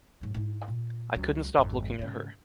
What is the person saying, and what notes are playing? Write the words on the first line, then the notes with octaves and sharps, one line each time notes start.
I couldn’t stop looking at her.
G#2 F#3
G#2 E4
A#2
C#2 F#3
G#1 F2
G#2 C#3